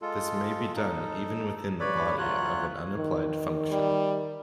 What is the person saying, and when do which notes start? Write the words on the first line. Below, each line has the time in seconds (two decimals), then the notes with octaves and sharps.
This may be done even within the body of an unapplied function.
0.02 G#3 F4 A4
0.76 D#4 A4
1.80 G2 B4 C#5 D5 B5
2.18 D2 F#3 F4 C#5 F#6
2.97 D#3
3.71 G3